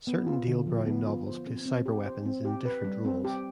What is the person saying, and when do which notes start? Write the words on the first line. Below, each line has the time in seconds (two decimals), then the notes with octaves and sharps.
Certain Dale Brown novels place cyberweapons in different roles.
0.07 B3
0.27 F4
0.48 D3
0.67 F3
0.86 B3
1.07 F4
1.26 C5
1.47 C4
1.66 C4
1.86 G4
2.06 C5
2.26 C4
2.45 G4
2.65 B4
2.84 G3
3.05 C4
3.24 G4